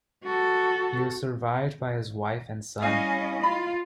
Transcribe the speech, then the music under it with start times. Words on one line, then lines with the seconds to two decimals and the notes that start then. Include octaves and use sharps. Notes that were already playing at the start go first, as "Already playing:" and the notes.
He was survived by his wife and son.
0.24 F#4 A4
2.82 G3 C#4 E4 D#5 F5 G#5 C7
3.43 F4 B5